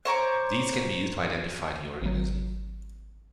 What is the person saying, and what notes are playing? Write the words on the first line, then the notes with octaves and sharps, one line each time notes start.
These can be used to identify the organism.
C5 C#5 A#5 D6
G#1 F#3